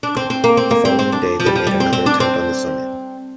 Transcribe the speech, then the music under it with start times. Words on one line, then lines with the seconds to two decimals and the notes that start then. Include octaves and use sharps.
The following day they made another attempt on the summit.
0.03 D4
0.17 C4
0.30 C4
0.44 A#3
0.57 C4
0.71 A#3
0.85 C4
0.99 C4
1.13 D4
1.40 F3
1.46 G3
1.56 F3
1.67 G3
1.80 C4
1.93 C4
2.06 D4
2.20 C4